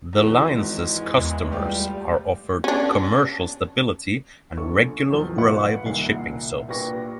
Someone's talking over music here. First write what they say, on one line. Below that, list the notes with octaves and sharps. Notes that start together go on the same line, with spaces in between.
The Line's customers are offered commercial stability and regular reliable shipping service.
G#1 E2 E3
G#3
E2
G3 A3 F4 G4
C#4 D4
A#1 A4 C#6
E2 F3 F#3
B2 F5 F#5 B5 C#7
C2 A#2 D#3 E5 F#5 C7
A#2 D4 G4 B4 C#6 A#6